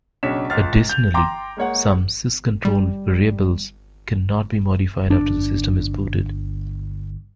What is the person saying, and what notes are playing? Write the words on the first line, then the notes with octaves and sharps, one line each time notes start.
Additionally, some sysctl variables cannot be modified after the system is booted.
B1 C#3 D4 C#5 B6 E7
C#2 F4 F6 A6
G6 F7
G5 A#5 C6 D6
G#3 A#3 C#5 F#5
G3
G1 D4